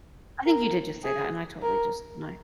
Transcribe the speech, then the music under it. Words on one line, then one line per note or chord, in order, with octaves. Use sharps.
I think you did just say that, and I totally just my
A#4
G#4
A#4